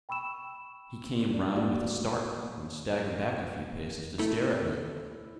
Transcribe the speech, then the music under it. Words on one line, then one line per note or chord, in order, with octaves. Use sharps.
He came round with a start, and staggered back a few paces to stare at me.
G5 B5 C#6 E6 E7
D5
F#3 A#3 F#4 G4 D5
A3 E4